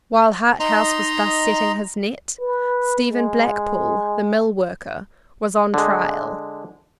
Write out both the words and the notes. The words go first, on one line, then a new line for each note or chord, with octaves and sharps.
While Harthouse was thus setting his net, Stephen Blackpool, the mill worker, was on trial.
D#4 D#5 A#5 C6
B4
G#3
D3 G#3